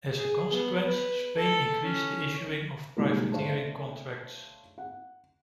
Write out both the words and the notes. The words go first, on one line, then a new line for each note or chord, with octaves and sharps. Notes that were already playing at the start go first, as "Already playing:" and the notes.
As a consequence, Spain increased the issuing of privateering contracts.
G#4
B3
B4
A4
C#4
B2 D#3 G3 G#3 A#3 A#4
A3 D4 C5 C#5 F5
F#5